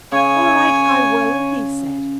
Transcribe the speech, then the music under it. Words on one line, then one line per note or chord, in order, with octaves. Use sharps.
"All right, I will," he said.
C#3 C#5 G#5